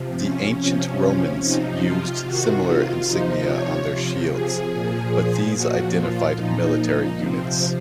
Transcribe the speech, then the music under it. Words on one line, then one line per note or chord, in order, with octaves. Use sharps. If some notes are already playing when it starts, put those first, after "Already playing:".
The ancient Romans used similar insignia on their shields, but these identified military units.
Already playing: C3 F3
C#4
C3 F3 C#4
C#4
C3 F3 D#4
F4
C3 D#3 F#4
F4
C3 F3 D#4
C#5
C3 F3
G#4
A#2 F3
A#2 F3 F#4
F4
A#2 F3 D#4
C3 F3 C4